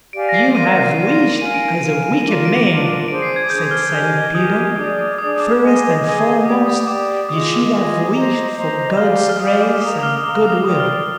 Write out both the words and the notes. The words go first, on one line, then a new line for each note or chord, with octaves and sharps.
'You have wished as a wicked man', said St Peter; 'first and foremost, you should have wished for God's grace and goodwill.'
G4 D5 F5 G#5 D7
A#6
C7
A#4 D5 F5 C6 D#7
A#4 D5 F5 C6
A#4 F5 G#5 D#7
D7
A#4 F5 G#5
D#7
D4 F4 A#4 D#7
D7
D4 F4 A#4
D4 G#4 C5 D7
C7
G#6
D4 G#4 C5 G6
F6
G4 A#4 D#5 G#5
G4 A#4 D#5 G#5 D#6
D4 G#4 D5 D#6
D4 G#4 D5 D#6
D6
G#4 D#5 G#5 C6
G#4 D#5 G#5 C6
G4 D5 G5 D#6
D#6
G4 D5 G5 D6
F4 G#4 D#5 D#6
F4 G#4 D#5
C5 D#5 A#5
C5 D#5 A#5
G4 D5 F5 G#5 F6
F6
G4 D5 F5 G#5 D#6
D6
A#4 F5 A#5 D#6
D#6
F6
A#4 F5 A#5 D6
D#6
A#4 D5 G5 C6 D#6
F6